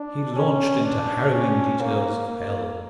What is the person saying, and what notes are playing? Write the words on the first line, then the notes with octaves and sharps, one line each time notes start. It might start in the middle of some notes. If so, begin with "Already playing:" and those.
He launched into harrowing details of hell.
Already playing: D4
C#4
D4
C#4
A#3
A#3